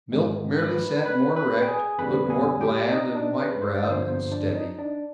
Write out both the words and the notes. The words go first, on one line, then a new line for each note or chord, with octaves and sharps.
Milt merely sat more erect, looked more bland and white-browed and steady.
G#2 D#3 G#3
B4 B5
B4 B5
B4 B5
G5
G#4 G#5
F2 D3 G3 B4 B5
G#4 G#5
G4 G5
D5
D#4 D#5
D4 D5
B4
C5
D5
G2 D3 F3 C5
C5
D4 D5
D#4 D#5
D4 D5